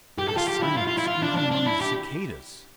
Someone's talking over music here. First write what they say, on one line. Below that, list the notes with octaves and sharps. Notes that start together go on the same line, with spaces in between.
There is silence even among the cicadas.
G4
A4
F4
G4
E4
F4
F4
E4
F4
D4
D4
D4
E4
G4